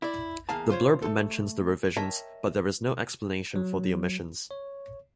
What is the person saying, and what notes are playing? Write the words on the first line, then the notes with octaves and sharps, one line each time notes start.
The blurb mentions the revisions, but there is no explanation for the omissions.
E4 D5
E2 A#3 F5 A5
F4 C5 C#5
A3 A4
A#4 C#5 D#5 E5 G5 A5
F#3
C#5